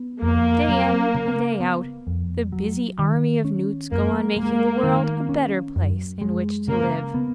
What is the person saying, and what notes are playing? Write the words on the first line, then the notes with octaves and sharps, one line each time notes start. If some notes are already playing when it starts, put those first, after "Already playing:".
Day in and day out, the busy army of newts go on making the world a better place in which to live.
Already playing: B3
F2 A#3
F#3
C#3
B3
F2
F#3
D#3
C#4
F#2 A#3
G#3 A#3
D#3
C#4
F#2
G#3
C#3 A#3
B3